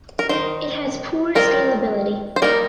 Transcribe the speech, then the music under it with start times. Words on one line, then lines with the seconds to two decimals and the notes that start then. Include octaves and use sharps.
It has poor scalability.
0.19 A#4
0.29 D#3 G#3 D#4 C5
1.35 D#3 G3 C4 F4 A#4
2.36 C5
2.42 G3 A#3 D#4 A#4